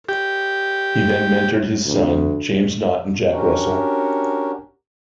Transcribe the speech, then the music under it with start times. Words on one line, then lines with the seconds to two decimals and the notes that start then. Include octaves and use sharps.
He then mentored his son James Knott and Jack Russell.
0.09 G4
1.86 D2
3.31 C#4 D4 F#4 G4 A#4